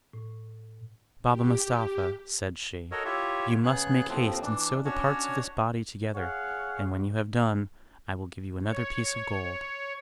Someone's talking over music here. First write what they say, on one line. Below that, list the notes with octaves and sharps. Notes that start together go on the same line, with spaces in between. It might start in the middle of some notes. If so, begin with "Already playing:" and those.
"Baba Mustapha," said she, "you must make haste and sew the parts of this body together; and when you have done, I will give you another piece of gold."
A2
G4
F#4 A4 A#4 C#5 D#5
E4 F4 G4 C#5 E5
C#3 B3 G#4 F#6
D#2 A2 F3 C4
E3 D4
C#4 D4 F#4 C#5
G#4 C#5 F5 F#5
C#5